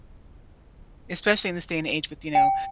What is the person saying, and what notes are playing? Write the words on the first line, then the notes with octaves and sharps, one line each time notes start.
Especially in this day and age with, you know,
G5